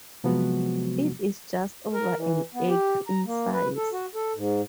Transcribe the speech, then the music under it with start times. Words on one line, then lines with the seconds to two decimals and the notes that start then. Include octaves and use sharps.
It is just over an acre in size.
0.24 C3 F3 F#3 G#3 B3 F#4
1.94 A#4
2.17 E3
2.54 B3
2.69 G4
3.07 A#5
3.26 A#3
3.53 B4
3.76 A4
3.92 F#4
4.15 A4
4.35 G#2